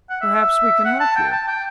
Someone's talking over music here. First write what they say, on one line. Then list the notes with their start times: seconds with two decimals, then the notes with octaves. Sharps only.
Perhaps we can help you.'
0.10 F#5
0.22 E5
0.85 F#5
1.01 A5
1.16 G5
1.32 A5
1.48 G5